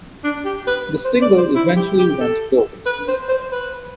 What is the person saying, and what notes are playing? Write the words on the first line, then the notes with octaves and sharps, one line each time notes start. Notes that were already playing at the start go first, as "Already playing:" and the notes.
The single eventually went gold.
D4
G4
B4
C5
D5
C5
E4
G4
G4
A4
B4
C5
C5
B4